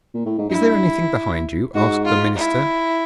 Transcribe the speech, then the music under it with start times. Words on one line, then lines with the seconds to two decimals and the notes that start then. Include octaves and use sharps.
'Is there anything behind you?' asked the minister.
0.14 A#2
0.26 A2
0.38 G#2
0.50 G2 E4
1.75 G#2 F#4
2.06 F4
2.37 E4